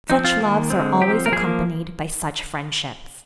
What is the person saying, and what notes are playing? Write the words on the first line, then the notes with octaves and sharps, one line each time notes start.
Such loves are always accompanied by such friendships.
F3 C4 D#4
F4
D#3 A#3
D3 G#3 C4
F3 C4 G4
A#4
F3 A#3 G#4